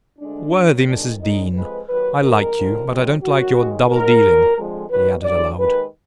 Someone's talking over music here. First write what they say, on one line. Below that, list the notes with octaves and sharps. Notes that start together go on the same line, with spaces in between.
'Worthy Mrs. Dean, I like you, but I don't like your double-dealing,' he added aloud.
D2 D3 G#3 D4
A#2 F#3
F2 D#3 G#3 D4
F#2 D3 G#3 D#4
F2 F3 G#3 B4
D#2 D#3 F#3 B4
F2 D3 G#3 A#4
D#2 D3 F3
F2 D3 F#3
F#2 D#3 F#3 F#4
D#2 D#3 G#3
G#2 D#3 F#3 A#4
A#2 F#3
F2 D3 F3 G#3
D#2 D#3 F#3 B4
D2 D3 F#3 D5
D#2 D#3 G#3 B4